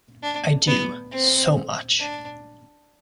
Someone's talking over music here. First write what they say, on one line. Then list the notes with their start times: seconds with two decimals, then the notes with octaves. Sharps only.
I do, so much.
0.23 D4
0.67 B3
1.11 C4
2.00 D4